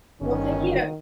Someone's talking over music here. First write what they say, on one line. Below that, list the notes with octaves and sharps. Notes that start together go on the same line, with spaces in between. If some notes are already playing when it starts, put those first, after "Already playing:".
Well, thank you,
G1 D#3 C#4